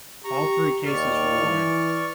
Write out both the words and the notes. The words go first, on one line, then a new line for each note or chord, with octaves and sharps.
All three cases were women.
G4 A#5 C#6
D#2 D5 C#6 F6
E3